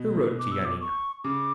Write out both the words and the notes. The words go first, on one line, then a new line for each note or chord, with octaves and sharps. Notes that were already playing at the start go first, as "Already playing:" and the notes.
"Who wrote to Yanina?"
Already playing: B2
D6
E6
D6
C#6
C#3 D6